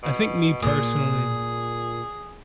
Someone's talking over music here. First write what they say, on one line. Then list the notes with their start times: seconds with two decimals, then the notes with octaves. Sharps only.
I think me personally
0.03 B2
0.62 A#2 G#4